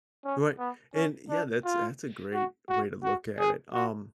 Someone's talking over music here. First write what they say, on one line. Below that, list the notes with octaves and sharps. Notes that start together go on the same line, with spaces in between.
Right. And, yeah, that's that's a great way to look at it. Um,
C#4
B3
C#4
D4
F4
F#4
F#4
F#4
G#4
F#4